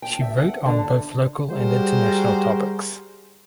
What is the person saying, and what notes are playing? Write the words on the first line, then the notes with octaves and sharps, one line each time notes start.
She wrote on both local and international topics.
G5
E5
F#5
D3
G3 F#4 G#4 A#4 C5